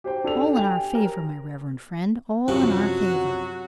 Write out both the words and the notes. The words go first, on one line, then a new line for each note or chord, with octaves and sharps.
All in our favor, my reverend friend--all in our favor!
G4 C5 G5
D4 A4 F7
G4 G5 G#5 F7
A#4
F#2 C3 F3 F#3 F#4